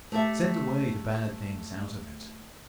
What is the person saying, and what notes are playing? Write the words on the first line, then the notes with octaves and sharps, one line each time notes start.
Send away the bad things out of it.
A3 G4 A4 E5